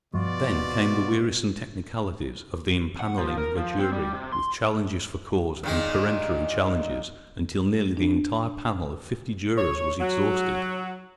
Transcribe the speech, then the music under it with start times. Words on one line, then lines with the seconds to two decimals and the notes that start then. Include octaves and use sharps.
Then came the wearisome technicalities of the empaneling of a jury, with challenges for cause and peremptory challenges, until nearly the entire panel of fifty jurors was exhausted.
0.14 G2 B2 F3 F4 F#4 D5
3.00 F#5
3.19 F3
3.37 A#4
3.57 F3
3.79 C4
3.92 G3
4.13 C3
4.33 C6
5.64 A#2 D#3 G#3
7.97 D4
9.58 C#5
10.00 F#3